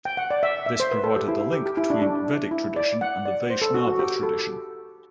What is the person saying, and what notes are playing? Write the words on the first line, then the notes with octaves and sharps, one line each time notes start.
This provided the link between Vedic tradition and the Vaishnava tradition.
G5
F#5
D5
E5
E5
C5
B4
A4
G4
E4
G4
G4
E4
D4
D4
E4
D5
F#5
D5
C5
A4
F#4
F#4
G4
A4